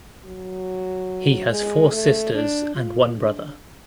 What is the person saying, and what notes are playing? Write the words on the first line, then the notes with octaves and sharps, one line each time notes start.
He has four sisters and one brother.
F#3
G#3
A3
D4
F4
D4